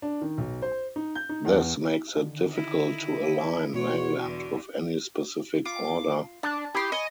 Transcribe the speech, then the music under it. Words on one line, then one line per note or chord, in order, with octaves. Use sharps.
This makes it difficult to align Langland with any specific order.
D4
D#3
B1
C5
D#4
G6
D#4
E2
D3 D#3
D#4 E4
B2 E3 B3 F#4 C5 C#5
E2 D3
F4 D6
D4 A5
E4 G4 C6 D#6
C#5 D#5 G#5